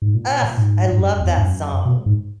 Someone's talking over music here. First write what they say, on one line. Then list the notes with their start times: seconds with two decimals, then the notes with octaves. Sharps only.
Ugh! I love that song.
0.02 G#2
0.15 A#2
0.45 A#2
0.57 G#2
0.92 G#2
1.00 F#2
1.21 E2
1.37 G#2
1.42 F#2
1.85 B2
2.06 G#2